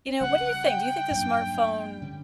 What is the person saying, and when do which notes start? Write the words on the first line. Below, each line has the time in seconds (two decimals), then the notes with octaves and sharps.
you know, what do you think? Do you think the smartphone
0.21 C#3 G3 C#4 F#5
0.66 G5
1.11 G2 F#3 A#3 D4
2.02 D3 G3 C#4